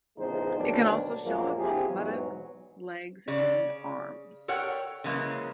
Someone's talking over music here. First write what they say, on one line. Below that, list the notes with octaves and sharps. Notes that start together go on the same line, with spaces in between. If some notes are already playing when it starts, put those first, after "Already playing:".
It can also show up on the buttocks, legs, and arms.
A#1 E2 C#3 G#3 D#4 C5
D2 B2 D3 D#3 F#3 D4
F#2 A#2 F3 G#3 A#3
C4 E4 F4 G4 G#4
E2 G#2 B2 E3 F#3
C#3 D5
A4 A#4 C#5 F#5 G5
C#3 E3 F#3 G#3 A#3